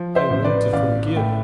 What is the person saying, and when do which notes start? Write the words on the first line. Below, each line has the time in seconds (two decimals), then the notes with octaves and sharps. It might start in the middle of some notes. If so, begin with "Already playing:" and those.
I want to forgive.
Already playing: F3
0.15 C5 E5
0.30 A1
0.44 B4 D5
0.73 A1 D5 F5
1.16 A2 E5 G5